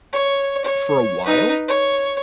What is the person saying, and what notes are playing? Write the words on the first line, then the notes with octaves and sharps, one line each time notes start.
for a while
C#5
C#5
D#4 B4
C#5